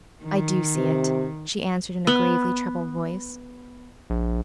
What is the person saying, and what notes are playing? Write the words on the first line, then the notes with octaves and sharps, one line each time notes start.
"I do see it," she answered in a gravely troubled voice.
D#3
C3
B3
A#1